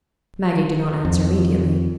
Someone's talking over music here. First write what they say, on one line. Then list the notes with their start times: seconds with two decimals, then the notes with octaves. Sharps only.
Maggie did not answer immediately.
1.05 F2